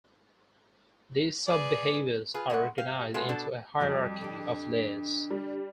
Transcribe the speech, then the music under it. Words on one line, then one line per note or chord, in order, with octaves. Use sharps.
These sub-behaviors are organized into a hierarchy of layers.
G#4 B4 D5
F4 G#4 B4
G#3 A3 B4 F#5
G4 F5
G#3 A3 B3 F4
B2 D4 A4
F2 G3 F#4 D5
D3 D4 G4
G3